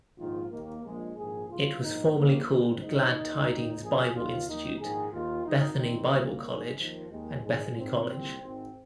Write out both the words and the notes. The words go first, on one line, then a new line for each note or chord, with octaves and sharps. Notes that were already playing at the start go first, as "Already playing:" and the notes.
It was formerly called Glad Tidings Bible Institute, Bethany Bible College and Bethany College.
A#1 G#2 D#3 F4
D#2 D#3 A#3
A#1 A#2 G#3
A#1 G#2 D#3 G#4
C2 C3 D#3 F4
A#1 G#2 D#3 D#4
A#1 G#2 D#3 A#3
G#1 G#2 D#3 C4
G#1 G#2 D#3 D#4
D#2 D#3
D#2 D#3
A#1 A#2 G#4
D#2 D#3 F4
D#2 D#3 D#4
A#1 G#2 D#3 G#4
D#2 D#3 F4
G#1 G#2 D#3 D#4
D#2 D#3 C4
C2 A#2 A#3
G#1 G#2 D#3 G#3
D#2 D#3 F3
D#2 D#3 G#3
G#1 G#2 D#3 G#3
G#1 G#2 D#3 C4
C2 A#2
G#1 G#2 D#3